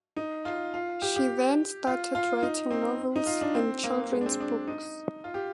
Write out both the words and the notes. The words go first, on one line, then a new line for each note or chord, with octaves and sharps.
She then started writing novels and children's books.
D#4
F4
F4
G4
G4
F4
F4
D#4
C4
D#4
F4
D4
C4
A#3
G#3
D4
C4
D4
D#4
F4
G4